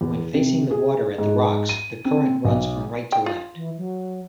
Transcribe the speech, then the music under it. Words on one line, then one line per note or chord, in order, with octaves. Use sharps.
When facing the water at the rocks the current runs from right to left.
E2
C3
G#4
G#2
D#7
C4
B1
G5
F4
E3
F#3